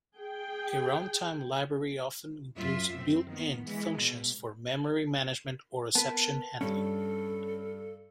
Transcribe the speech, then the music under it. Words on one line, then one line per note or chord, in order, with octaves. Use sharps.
A runtime library often includes built-in functions for memory management or exception handling.
G#4 G5
F#2 F4 E5
C4
D#3 F3 B3
E3 G#3
B2
B3 A#4 B4 A5
G2 C#4 A4